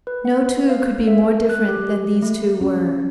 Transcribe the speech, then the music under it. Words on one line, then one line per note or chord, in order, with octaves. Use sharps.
No two could be more different than these two were.
B4
F#5
F5
E5
F#6
G4
A3
C#4